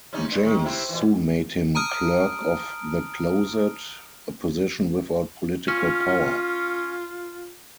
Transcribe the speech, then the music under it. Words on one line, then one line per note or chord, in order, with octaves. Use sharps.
James soon made him clerk of the closet, a position without political power.
C3 C#4 D#4
G2
D#3
C3 E4
A#2 E3
A5 A#5 D#6 F6 D7
C#4 F4